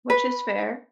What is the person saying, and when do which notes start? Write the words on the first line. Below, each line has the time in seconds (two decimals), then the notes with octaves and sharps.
which is fair.
0.10 B4